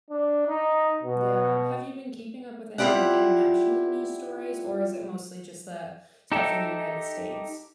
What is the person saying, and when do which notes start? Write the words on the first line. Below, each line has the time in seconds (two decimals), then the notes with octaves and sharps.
Yeah, have you been keeping up with any, like, international news stories, or is it mostly just the stuff in the United States?
0.11 D4
0.48 D#4
1.03 B2
2.78 C4 E4 F4 G4 D5 F#5
6.32 D#4 G4 A4 E5